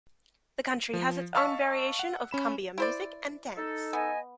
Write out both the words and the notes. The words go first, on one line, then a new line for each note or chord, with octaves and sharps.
The country has its own variation of cumbia music and dance.
F3
D#5 F5 A5 C#6 E6 B6
F#5
C#4 B5 E7
E4 C5 D5
D#4 A4
B3 D#5 G#5